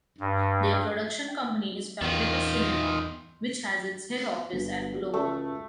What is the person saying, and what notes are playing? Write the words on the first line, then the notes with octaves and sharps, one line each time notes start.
Their production company is Fabrica Cinema, which has its head office at Bologna.
G2
E2 D#3 F4
G1
C#2 A3